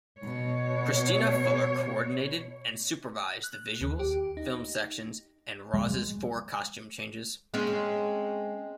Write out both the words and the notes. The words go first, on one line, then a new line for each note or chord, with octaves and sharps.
Kristina Fuller coordinated and supervised the visuals, film sections and Rozz's four costume changes.
B2 C#5
F#6
D#2
G4
D#4
G#3
G#3 C4 C#4